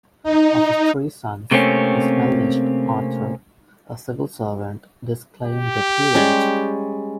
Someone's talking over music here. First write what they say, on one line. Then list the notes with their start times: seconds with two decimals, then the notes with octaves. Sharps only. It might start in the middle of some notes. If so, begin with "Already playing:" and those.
Of his three sons, his eldest, Arthur, a civil servant, disclaimed the peerage.
0.23 D#4
1.51 C3 A3 A#3 C4 C#4
5.45 G4
6.15 G3 G#3 C#4